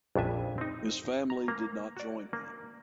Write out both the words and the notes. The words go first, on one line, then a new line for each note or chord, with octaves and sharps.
His family did not join him.
A#1 F2 D4 E5 G#5
C4 D#4
A#5
A#3
F#4 D5
A#3